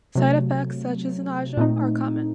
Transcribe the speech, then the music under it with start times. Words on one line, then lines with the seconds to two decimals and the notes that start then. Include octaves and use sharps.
Side effects such as nausea are common.
0.15 C3 F#3 A3
1.57 A#2 A3 C4 D#4